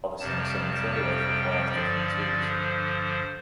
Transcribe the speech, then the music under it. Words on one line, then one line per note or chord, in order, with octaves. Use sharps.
Harvesting some materials requires different tools.
F2 C3 G3 A5
G5
G2 D3 F3 D5
C5